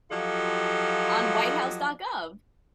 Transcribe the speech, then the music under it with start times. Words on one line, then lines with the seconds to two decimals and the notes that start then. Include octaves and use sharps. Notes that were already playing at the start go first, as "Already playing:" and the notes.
On whitehouse.gov.
0.11 F3 F#3 F4 G4 A4 D#5